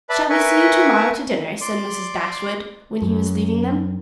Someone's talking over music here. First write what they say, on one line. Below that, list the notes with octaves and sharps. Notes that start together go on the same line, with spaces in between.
"Shall we see you tomorrow to dinner?" said Mrs. Dashwood, when he was leaving them.
B4 D5 E5 A5 B5
A#4 B4 E5 G#5 C#6
D5 C6 D6
F#2